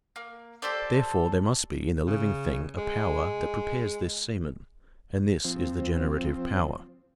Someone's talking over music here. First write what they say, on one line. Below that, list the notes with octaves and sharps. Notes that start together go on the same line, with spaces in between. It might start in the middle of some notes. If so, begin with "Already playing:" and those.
Therefore there must be in the living thing a power that prepares this semen; and this is the generative power.
A#3
G4 A4 C5 D5
C#3
G#3
F3 C4